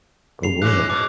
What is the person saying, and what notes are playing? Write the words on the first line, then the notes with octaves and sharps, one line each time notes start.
Oh, wow.
C7 F7
E3 G#3 C#4 F#6
B2 D6